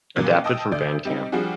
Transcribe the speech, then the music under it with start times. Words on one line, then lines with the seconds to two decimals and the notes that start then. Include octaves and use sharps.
Adapted from Bandcamp.
0.16 A#2 C#3 F#3 A#3
0.44 D#5 G5 A5 D#6 E6
0.72 D2 D3 D5 G6
1.05 G3 C4 D#4
1.32 F3 G3 D4 F4 F#4 G#4